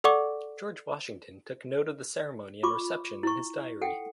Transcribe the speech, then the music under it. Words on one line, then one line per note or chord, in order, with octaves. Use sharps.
George Washington took note of the ceremony and reception in his diary.
A4 D5 F#5 C#6 D6
F4 B5 C#6 D6
E4 C#6
A4 F#5 G5